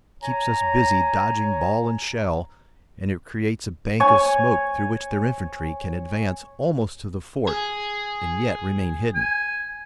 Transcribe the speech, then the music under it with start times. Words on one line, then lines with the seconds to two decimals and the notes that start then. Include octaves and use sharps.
It keeps us busy dodging ball and shell, and it creates a bank of smoke through which their infantry can advance almost to the fort and yet remain hidden.
0.22 C#5 G#5 A#5
4.00 C#5 G#5
7.48 G#4
9.15 G#5